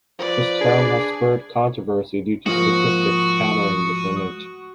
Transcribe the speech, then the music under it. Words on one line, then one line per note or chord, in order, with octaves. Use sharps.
This term has spurred controversy due to statistics countering this image.
F3 B4 D5
D4 G#4
G#2 F3 A#3 F#4 C#6 D#6